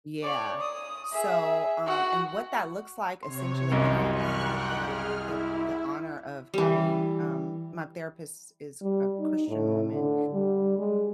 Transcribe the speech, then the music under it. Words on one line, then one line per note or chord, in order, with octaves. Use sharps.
Yeah. So, um, and what that looks like essentially and I I had the the the honor of having, um my therapist is a Christian woman,
C#5 D5
D#6
G#4 E5
F#4 F#5
C3 C#5 C6
C2 F#2 D#5
C#6 F6 F#6
F#5 G5
G#4 F6
E4
E3 G3
G3
D#4
A2
D3
G3
G#3